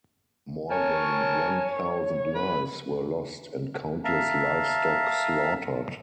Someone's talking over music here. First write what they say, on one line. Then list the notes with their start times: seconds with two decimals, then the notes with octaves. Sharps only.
More than one thousand lives were lost, and countless livestock slaughtered.
0.71 A#4 C#5 G#5 A5
2.35 B4 B5
4.04 E5 F5 A5 A#5